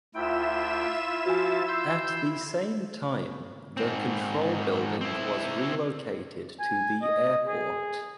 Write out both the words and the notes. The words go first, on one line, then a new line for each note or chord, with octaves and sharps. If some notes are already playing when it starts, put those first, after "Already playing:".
At the same time the control building was relocated to the airport.
D2 E4 F4 E5 G5 E7
F3 F#4 G#5 A6
C6 E6 G6
G#2 C4
C4 E4
G#5
D#5
G#4